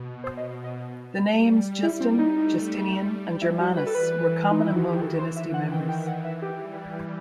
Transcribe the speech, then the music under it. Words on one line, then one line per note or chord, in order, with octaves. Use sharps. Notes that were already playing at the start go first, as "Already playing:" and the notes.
The names Justin, Justinian and Germanus were common among dynasty members.
Already playing: B2
C5
D#5
D#5
G3
E4
C4
D#4
A3
G3
G3 E4
F#4
B4
A4
E3 B4
D#3 D#4
E4
F#4
G4
E3 A4
C5
E5
D#3 F#5
G5
G5
E3 F#5
E5
G4
G3